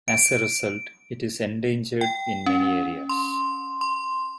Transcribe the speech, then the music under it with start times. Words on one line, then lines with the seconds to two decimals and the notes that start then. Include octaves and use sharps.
As a result, it is endangered in many areas.
0.08 D7
2.01 G5
2.46 C#4
3.09 C6
3.81 C6